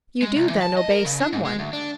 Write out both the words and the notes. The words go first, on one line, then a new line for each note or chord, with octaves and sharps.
"You do, then, obey some one?"
G#3
C2
E3
A5
D#5
A#4
C#3
D4
G#2
G#3
D2
D4